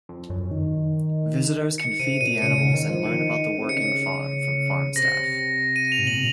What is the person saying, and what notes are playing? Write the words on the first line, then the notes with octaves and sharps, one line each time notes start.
Visitors can feed the animals and learn about the working farm from farm staff.
F2
F#2
D#3
C#7
C3 D#7
A#2 D#7
C#3 C#7
C#3
D#3
F3
D#3
C3
C#3 C#7
C3 A#6
D#7
F7
G#2
A#2 F#7
C3